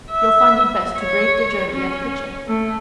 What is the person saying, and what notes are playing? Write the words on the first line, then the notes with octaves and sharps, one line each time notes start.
You'll find it best to break the journey at Hitchin.
E5
C#5
C#4
A3